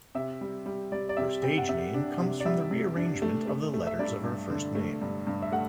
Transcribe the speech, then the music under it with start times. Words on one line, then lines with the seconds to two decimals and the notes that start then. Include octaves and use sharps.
Her stage name comes from the rearrangement of the letters of her first name.
0.15 C3 E5
0.41 G3
0.66 G3
0.92 G3 D5
1.09 D5
1.17 C3 E5
1.42 C3 G5
1.58 F#5
1.69 C3 E5
1.94 D4
2.20 C3
2.40 D5
2.45 G3 E5
2.71 C3
2.97 D4
3.22 A3
3.47 A3
3.74 A3
3.87 E5
3.99 G2 D5
4.24 G2
4.50 D3
4.75 A3
5.01 G2
5.27 G2
5.42 E5
5.52 A3 F#5